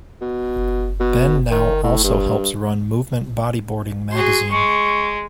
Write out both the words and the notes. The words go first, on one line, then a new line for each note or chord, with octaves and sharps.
Ben now also helps run "Movement Bodyboarding" magazine.
B2
B2
D#3
A2
G2
F#4 G#4 C6
G#3 C#6